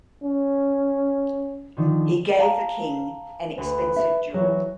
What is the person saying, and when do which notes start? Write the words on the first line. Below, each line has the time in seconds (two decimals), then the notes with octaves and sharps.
He gave the king an expensive jewel.
0.24 C#4
1.77 D3 D#3 F3
2.39 F5 A5 A#5
3.58 D2 B4
3.96 E5
4.34 E3 F#3